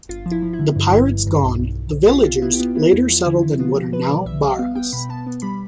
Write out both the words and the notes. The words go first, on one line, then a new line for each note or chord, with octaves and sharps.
The pirates gone, the villagers later settled in what are now Baras.
G1 F4
F3
E4
F3
E4
D3
G2
G1
G2
G2
B1
B1
B1
B1
G4
B1 F4
B1 F4
F4
B3 E4
G4
B3 F4
B3 E4
E2 E4
F3 F4
D3 E4
F3 E4
B3 F4
F3 G4
F3 B4
B2 D5
B1 E5
G3 F5
B3 F5
B3 G5
B2 B5
B3 A5
B3
G3 B5